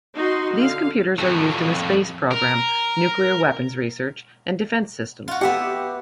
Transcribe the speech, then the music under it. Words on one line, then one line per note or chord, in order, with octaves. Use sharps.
These computers are used in the space program, nuclear weapons research, and defense systems.
D#4 F#4 C6
D3 F5
F2 A2
A#4
F4 F#4
B3 G4 E5 F#5